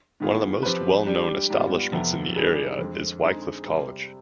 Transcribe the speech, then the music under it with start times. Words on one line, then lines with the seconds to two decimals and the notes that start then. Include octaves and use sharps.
One of the most well known establishments in the area is Wycliffe College.
0.20 G#2 D#3 B3 F4 G#4
0.63 F3 C4 G4 B4
1.06 G3 D4 G4
1.50 G#2 G3 B3 F4
1.93 F2 C3 F3 B3
2.36 D#3 G3 D4 G#4 B4
2.79 F2 D3 G#3 C4
3.23 D3 G#3 C4 D#4 G#4
3.66 C3 G3 C4